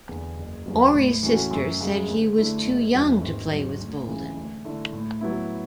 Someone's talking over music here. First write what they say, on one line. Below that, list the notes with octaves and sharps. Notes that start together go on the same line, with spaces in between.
Ory's sister said he was too young to play with Bolden.
E2 D3
F#1
E2 D3 F#3
A2
E3 A3 C#4 F#4
F#2
C#3 G#3
D2
D3 A3 E4
F#1
E2 D3 F#3 C#4
G#1
G#2 F#3
D2
C#3 E3
D2
D3 A3 E4
A2
F#3 B3 E4